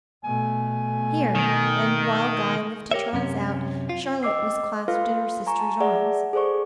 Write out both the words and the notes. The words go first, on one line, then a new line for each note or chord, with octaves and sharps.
'Here!' and while Guy lifted Charles out, Charlotte was clasped in her sister's arms.
B2 A3 G#5
D#3
G4 A#4 C#5 E5
F#2 C3 C#4
F4
D#5 G5 D6 E6 C7
F4 A4 B4 F5 C6 F6
G#5 A#5 C#6
A5
G#4 D5 E5 F#5
G#4 A4 C5 D5 C#6